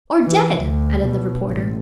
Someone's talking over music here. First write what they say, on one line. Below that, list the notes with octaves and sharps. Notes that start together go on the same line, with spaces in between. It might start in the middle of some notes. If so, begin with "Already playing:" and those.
"Or dead!" added the reporter.
E3
D2
B2
A1